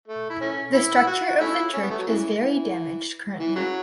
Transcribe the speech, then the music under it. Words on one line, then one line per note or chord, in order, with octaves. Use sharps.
The structure of the church is very damaged currently.
A3
E4
E3 A3 C#4
E4
E4
F#4
A3 C#4 E4
C#4
B3
A3
F#3
C#3 E3
E3
E3
C#3 F#3